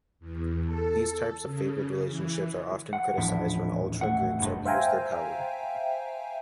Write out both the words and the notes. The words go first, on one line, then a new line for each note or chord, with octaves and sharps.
These types of favoured relationships are often criticized when ultras groups abuse their power.
E2
A4
C#3
E3
F#5
D#1 A1 F3 D4 E4
A3 E5 F#5
F1 G2
C5 E5 F5 G5 G#5 A#5